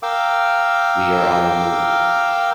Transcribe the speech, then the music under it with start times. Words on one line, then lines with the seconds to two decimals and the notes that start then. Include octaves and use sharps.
We are on the move.
0.03 A#4 F5 G5 D6 E6